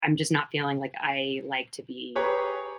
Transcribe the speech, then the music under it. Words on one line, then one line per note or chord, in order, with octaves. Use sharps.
I'm just not feeling, like, I, like, to be
G4 G#4 B4 C#5 A#5